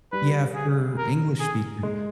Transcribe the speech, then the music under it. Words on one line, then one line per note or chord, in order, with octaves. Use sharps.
Yeah, for English speaker
G3 B4
G#4
A#4
G#4
G#3